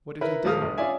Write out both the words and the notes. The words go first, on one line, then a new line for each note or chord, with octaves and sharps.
What did he do?
E4 A#4 B4
D#1 F3 F5 D#6 F6
G1
C#4 F4 D5 E5 G#5